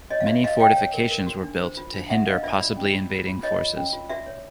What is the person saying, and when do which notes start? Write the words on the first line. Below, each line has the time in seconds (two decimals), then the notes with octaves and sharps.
Many fortifications were built to hinder possibly invading forces.
0.10 F#4 C#5 D#5
0.20 F5
0.27 F#4 D5 E5
0.43 F#4 D#5 F5
0.60 C#5 F5 G5
0.76 C#5
0.93 A#4
1.11 A#4
1.27 F#4
1.43 D4
1.60 C5
1.77 F4
1.94 D4
2.10 A4 E5 F#5
2.26 D4 D#5 F5
2.43 F4 D5 E5
2.59 F4 D5
2.76 C#4
2.93 F4
3.10 F4
3.27 F4
3.43 F4 C#5 D#5
3.60 F4
3.76 C#4
3.93 F4
4.10 F#4 D5 E5
4.26 C#5